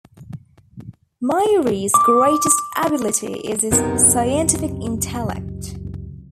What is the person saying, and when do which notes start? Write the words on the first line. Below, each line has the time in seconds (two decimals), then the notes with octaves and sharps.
Mayuri's greatest ability is his scientific intellect.
1.94 D6
3.71 C#2 F#2 C3 B3 D#4 A#4